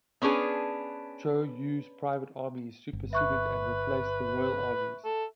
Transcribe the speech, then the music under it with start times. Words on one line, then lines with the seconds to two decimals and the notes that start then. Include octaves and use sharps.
Choe U's private armies superseded and replaced the Royal armies.
0.22 B3 C#4 D4 G#4 B4
2.93 G1
3.13 B4 E5 C#6 F#6
5.05 A4